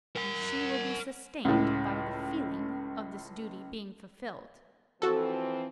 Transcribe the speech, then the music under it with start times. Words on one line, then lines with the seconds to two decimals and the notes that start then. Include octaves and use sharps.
And she will be sustained by the feeling of this duty being fulfilled.
0.16 A#4 F#5
1.45 C#2 A2
5.02 E3 F3 C4 F#4 A4